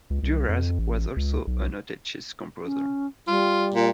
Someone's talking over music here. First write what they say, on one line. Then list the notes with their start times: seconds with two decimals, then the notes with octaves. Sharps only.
Duras was also a noted chess composer.
0.10 C#2
0.23 C2
0.49 F2
0.79 A1
1.16 C#2
1.47 B1
2.64 C#4
3.28 G3 F4
3.74 A#2